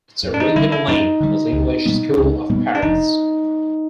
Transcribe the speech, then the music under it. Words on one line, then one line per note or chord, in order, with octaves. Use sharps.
Its original name was English School of Paris.
F#2
D4
D#4
D3 G3 E4
E4
F#2 D#4
D3 G3
C#2
B2 G3 B3
C#2
B2 G3 B3
D4
F1 D#4